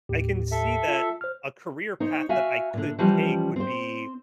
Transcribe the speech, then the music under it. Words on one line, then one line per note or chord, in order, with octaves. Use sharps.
I can see that a career path that I could take would be,
D#2 A2 G4
A4 E5
F4
C5 F6
D#4 C5 C#5
F#4 E5 F5 G#5
A#2 D3
E3 F3 G3 C#4
C4 C5